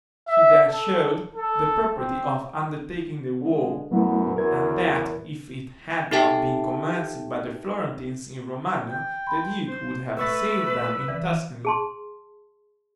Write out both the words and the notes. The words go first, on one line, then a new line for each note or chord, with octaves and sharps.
He then showed the propriety of undertaking the war; and that if it had not been commenced by the Florentines in Romagna the duke would have assailed them in Tuscany.
E5
A4
A4
C4
D3 G#3
F#2 F#3 A3 B3 E4
E2 F#3 A#4 G#6
D#4 G4 A4 E5 G5 A5
G5
B5 C6
C5
A3 B4 C#6 E6 A6
E3 D5
G#4 A5 C6